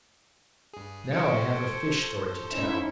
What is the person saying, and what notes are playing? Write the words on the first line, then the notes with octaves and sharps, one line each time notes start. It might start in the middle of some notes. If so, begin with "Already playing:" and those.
Now I have a fish story to tell.
G2 G#4
F3 A4 C5 C#5 G5
C#4 D#4 E4 E5